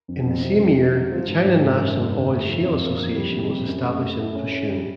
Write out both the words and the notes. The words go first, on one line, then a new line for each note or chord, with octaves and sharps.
In the same year, the China National Oil Shale Association was established in Fushun.
F2
F2
C3
F2
F#3
F#3
F3
G#2
G#2
F#2
F#2
F#2
D3
A3
F3
F2
A#3
F2
G3
C3
G3
F#2
A3
A3
A3
C#4
C#4
G3